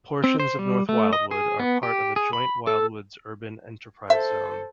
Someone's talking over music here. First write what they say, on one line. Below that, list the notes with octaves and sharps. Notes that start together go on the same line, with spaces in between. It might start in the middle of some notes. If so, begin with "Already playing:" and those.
Portions of North Wildwood are part of a Joint Wildwoods Urban Enterprise Zone.
C4
C5
G3
A3
D#5
G#4
B3
G4
G#4
B5
A4
A4 C5 E5